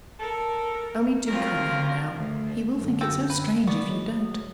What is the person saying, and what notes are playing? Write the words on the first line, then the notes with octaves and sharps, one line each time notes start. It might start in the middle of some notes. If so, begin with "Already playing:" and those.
Only do come in now; he will think it so strange if you don't.'
A4 A#4
D2 F#3 C4 F4 A#4
D2
F#2 D3
F#4 A4 G5
B4
B3 D5 C#6
F#3 G#3